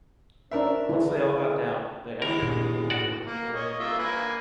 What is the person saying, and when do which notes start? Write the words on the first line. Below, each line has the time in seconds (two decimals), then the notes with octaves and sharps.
Once they all got down, they entered in the little fort controlling the bridge.
0.51 C#4 D4 A#4 C5 E5
0.89 D3 G#3 E4 G#4 B4
2.22 D#2 G#3 E4 A#4
2.42 A#2 D4
2.90 A2 F#4 D5
3.26 A#3
3.55 C#5 D#5
3.79 A#3 F4 E5
3.99 A#3 B4 G#5